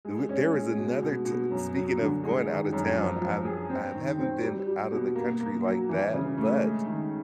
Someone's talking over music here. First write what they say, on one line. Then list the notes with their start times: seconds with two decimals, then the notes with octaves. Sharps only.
uh, there was another t speaking of going out of town, I'm I haven't been out of the country like that, but,
0.05 G#3
0.29 C#4
0.53 G#3
0.77 B2
1.02 B2
1.26 B2
1.51 F#2
1.74 F#3
1.99 D3
2.23 G#3
2.48 D#3
2.72 F#2
2.97 F3
3.21 F3
3.45 G#4
3.69 C4
3.95 D#3
4.19 C4
4.43 G3
4.67 G3
4.92 B2
5.16 A#3
5.40 A#3
5.65 F#3
5.89 E3
6.14 C#3
6.38 A3
6.62 G#3
6.86 D#3